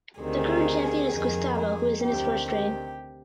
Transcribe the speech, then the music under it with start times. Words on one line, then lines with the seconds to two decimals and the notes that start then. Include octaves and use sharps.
The current champion is Gustavo who is in his first reign.
0.20 D2 C3 D#3 G#4
1.11 F2 D#3
1.58 G#4
2.03 D2 C3 D#3 G4
2.49 G4